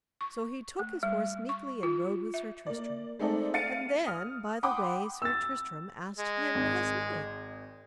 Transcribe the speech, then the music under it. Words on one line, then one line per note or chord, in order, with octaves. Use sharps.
So he took his horse meekly and rode with Sir Tristram; and then by the way Sir Tristram asked him his name.
C#6
A3
G3
C#6
F4
E5
A#3 D5
G#3 A3 C4 D#4 A4 D5
F5 A6 C#7 D#7
D#6 F6
F#5 G5 B5 C6 D6 D#6
E6 A6
G#3
G#1